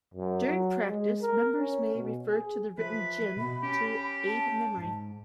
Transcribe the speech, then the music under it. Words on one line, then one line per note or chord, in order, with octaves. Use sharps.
During practice, members may refer to the written "gin" to aid memory.
F#2
F#3
G#3
A#4
C#4
B2
G#4
F3 B4 E5
B2 B5
C#4 G4
A5
G#2